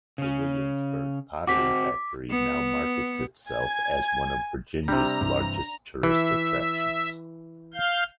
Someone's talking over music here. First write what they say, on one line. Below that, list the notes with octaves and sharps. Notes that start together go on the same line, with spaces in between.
The Williamsburg Pottery Factory now markets itself as one of Virginia's largest tourist attractions.
C#3 C#4
C4 F#4 D6 B6
B3
G#5 G#6
C3 G3 D4 A#5
G2 E3
E3 E5
F5 G6